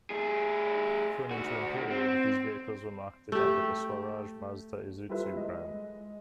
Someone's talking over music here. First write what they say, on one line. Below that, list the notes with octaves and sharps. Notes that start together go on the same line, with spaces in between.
For an interim period, these vehicles were marketed under the Swaraj Mazda Isuzu brand.
A3 G#4
D2 F#4
C4
A3 G4
G3 E4 F4 A4 B4 E5
G#3 D#5